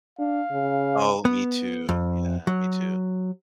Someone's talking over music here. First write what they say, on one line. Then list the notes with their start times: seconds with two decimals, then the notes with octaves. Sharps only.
Oh, me too. Yeah, me too.
0.19 D4 F5
0.51 C#3
1.25 B3
1.89 F2
2.47 F#3